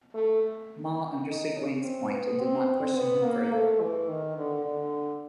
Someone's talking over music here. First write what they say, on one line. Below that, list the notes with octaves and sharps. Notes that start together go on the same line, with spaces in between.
Ma understood Wang's point and did not question him further.
A3
D#4
C#4
C4
B3
C4
C4
B3
A#3
A3
E3
D#3
D3
D3